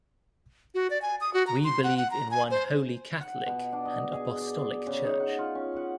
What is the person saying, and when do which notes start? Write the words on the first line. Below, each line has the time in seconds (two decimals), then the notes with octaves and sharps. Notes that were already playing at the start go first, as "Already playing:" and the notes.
We believe in one holy catholic and apostolic Church.
0.75 F#4
0.90 D5
1.02 G#5
1.21 D#6
1.34 F#4
1.47 A#5
1.64 C6
1.84 F#5
1.97 F#5
2.11 A#5
2.31 G#5
2.51 C5
3.20 F#5
3.46 B2
3.72 D4
3.85 D#5
4.12 G#4
4.41 D5
4.87 C#3
5.04 D#4
5.20 F#5
5.38 F4
5.55 C#4
5.76 F#5